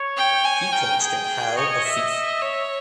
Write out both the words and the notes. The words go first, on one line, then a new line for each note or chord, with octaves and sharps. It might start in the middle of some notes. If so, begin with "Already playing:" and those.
He coached at Howe of Fife.
Already playing: C#5
G5
G#5
A#4 G5
G#4 G5
C#5 D#5
E5
C#5